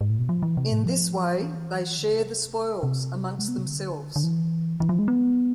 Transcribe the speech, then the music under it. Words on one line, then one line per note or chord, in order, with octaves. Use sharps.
In this way, they "share the spoils" among themselves.
G#2
A2
B2
F3
E3
C3
A2
F3
E3
D3
C3
C3
G#3
B3
C3
D3
D3
E3
E3
F3
G#3
B3